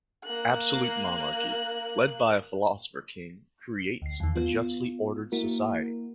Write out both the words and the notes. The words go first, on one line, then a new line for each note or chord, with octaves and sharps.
Absolute monarchy, led by a philosopher-king, creates a justly ordered society.
A#3 F#6
D2 C7
E2 D#3
B3 F4
A#3 E4 F#4 A#4